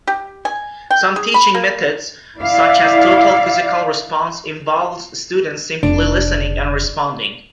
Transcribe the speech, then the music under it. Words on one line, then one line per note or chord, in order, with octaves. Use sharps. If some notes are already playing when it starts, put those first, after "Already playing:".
Some teaching methods, such as Total Physical Response, involve students simply listening and responding.
G4
G#5
G5
G#4
B5
A#3
E4 D5 E5 F5
F1 D4